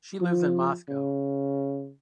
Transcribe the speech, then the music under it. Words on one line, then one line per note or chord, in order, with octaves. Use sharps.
She lives in Moscow.
F3
C#3